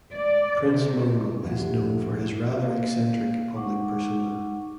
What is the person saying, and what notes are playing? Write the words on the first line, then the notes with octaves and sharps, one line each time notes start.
Prince Mongo is known for his rather eccentric public persona.
D5
C3
D2 G2 F3 A3 G4 G#4
A#3 F5
G#3 D#4 F#5 C#6 D6